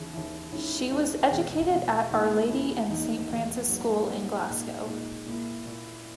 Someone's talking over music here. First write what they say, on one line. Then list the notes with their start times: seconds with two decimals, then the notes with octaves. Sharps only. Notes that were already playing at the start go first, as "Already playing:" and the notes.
She was educated at Our Lady and Saint Francis School in Glasgow.
Already playing: D#2 C#3 E3
0.13 D#2 C#3 E3
0.52 D#2 D#3 G#3 C#4 E4
0.91 D#2 D#3 G#3 C#4 E4
1.31 E2 B2 G#3
1.70 E2 B2 G#3
2.10 D#2 D#3 A#3 E4
2.49 D#2 D#3 A#3 E4
2.90 E2 D#3 A#3 D#4
3.28 E2 D#3 A#3 D#4
3.68 G#2 F#3 A#3
4.08 G#2 F#3 A#3
4.48 A#2 G#3 D#4
4.86 A#2 G#3 D#4
5.26 A#2 A#3 E4
5.66 A#2 A#3 E4